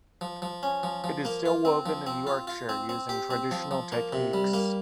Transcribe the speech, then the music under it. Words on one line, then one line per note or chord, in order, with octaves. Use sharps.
It is still woven in Yorkshire using traditional techniques.
F3
F3
C#4
F3
F3
A#3
F4
C4
F3
C4
F4
F4
C4
C4
G4
C4
F3
F3
A#3
C3
G3
A#3